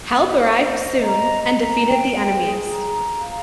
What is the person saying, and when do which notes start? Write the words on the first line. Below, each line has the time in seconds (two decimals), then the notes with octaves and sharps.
Help arrived soon and defeated the enemies.
0.14 C5
0.57 D#5
1.00 A#5
1.43 A#5
1.87 G5
2.30 G#4
2.72 A#5
3.16 F5